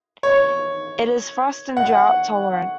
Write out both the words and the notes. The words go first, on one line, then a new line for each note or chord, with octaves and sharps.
It is frost and drought tolerant.
C#5
F#5